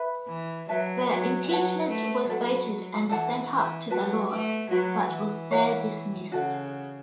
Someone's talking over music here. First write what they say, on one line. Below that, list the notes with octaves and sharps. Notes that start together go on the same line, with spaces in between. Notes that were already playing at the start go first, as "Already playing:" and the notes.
The impeachment was voted and sent up to the Lords, but was there dismissed.
Already playing: B4 E5 B5
E3
F#3 B4 E5 A5
F#3
F#3 B4 F#5 A5
A3
F#3 A4 F#5 B5
E3 A4 F#5 A5
E3
F#3 F#4 B4 A5
A3
F#3 F#4 B4 F#5
E3
E4 C#5 F#5
C#3 F#4 A4 F#5